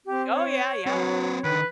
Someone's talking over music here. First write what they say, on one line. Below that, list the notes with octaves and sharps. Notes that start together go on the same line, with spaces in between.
Oh, yeah, yeah.
C4 G4
C#5
F#3 C4 B4
D3 D#3 B4